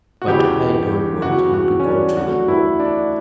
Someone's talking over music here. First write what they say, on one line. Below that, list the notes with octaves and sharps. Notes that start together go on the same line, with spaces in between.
But I don't want him to go to the war.
F#4
E2 C#3 E3 G4
E2 C#3 E3 F#4
F#4
C#4
D4
D2 D3 F#4
E4
D4